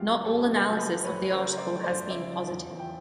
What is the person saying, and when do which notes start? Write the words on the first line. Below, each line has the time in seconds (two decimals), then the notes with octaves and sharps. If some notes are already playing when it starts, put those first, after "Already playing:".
Not all analysis of the article has been positive.
Already playing: F#2 C#3 F#3 A3 F4 G4
0.12 A3
0.25 G4 A4
0.32 F#2
0.51 C#3 G4 A4
0.71 F#3
0.78 A4 B4
0.92 A3
1.04 B4 C#5
1.11 F#2
1.31 C#3 A#4 C5
1.51 F#3
1.57 C5 D5
1.71 A3
1.84 C5 D5
1.91 F#2
2.10 C#3 D5 E5
2.30 F3
2.50 E2
2.70 E2
2.79 G5